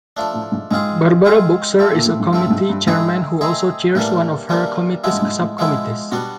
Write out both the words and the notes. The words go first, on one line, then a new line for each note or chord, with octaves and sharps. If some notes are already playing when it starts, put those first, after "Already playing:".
Barbara Boxer is a Committee chairmen who also chairs one of her committee's subcommittees.
F3 A3 D4
A2
G#2
G#2 G#3 C4 F4 G#4
G#3 C4 F4 G#4
F3 A3 C4
A#2
A2
G#2
G2 F3 A3 C4
A2
G#2
G2
G#2 A3 C4 D#4 G#4
A3 C4 D#4 G#4
A2 E3 G3 A#3 D4
E3 G3 A#3 D4
F3 G#3 B3 E4
G2
G#2
A2
F3 G#3 B3 E4
B2 G3 B3 D4 F#4